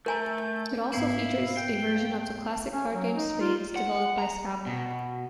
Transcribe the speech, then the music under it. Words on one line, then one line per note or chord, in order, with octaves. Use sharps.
It also features a version of the classic card game Spades, developed by Skava.
A3 A#4 G#5 A#5 G6
G#2 B3 E4 F5 C7
G5
C#4
F#3
D#4
F4
F#5
A#5
B2